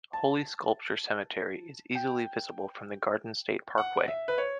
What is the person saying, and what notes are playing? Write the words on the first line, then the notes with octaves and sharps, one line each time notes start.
Holy Sepulchre Cemetery is easily visible from the Garden State Parkway.
A5
G5
F#5
E5
B4
C#5